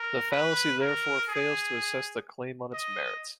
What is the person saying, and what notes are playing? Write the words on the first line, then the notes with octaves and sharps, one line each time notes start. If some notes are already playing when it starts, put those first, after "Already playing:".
The fallacy therefore fails to assess the claim on its merit.
Already playing: A#4
B4
A#4
G#4
D#5